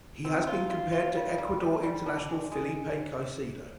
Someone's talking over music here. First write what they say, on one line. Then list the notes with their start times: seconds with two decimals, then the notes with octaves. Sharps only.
He has been compared to Ecuador international Felipe Caicedo.
0.25 C4
0.47 F4
0.70 F4
0.92 F4
1.15 G3
1.38 G3
1.60 G3
1.83 G3
2.06 D4
2.29 G#3
2.52 G#3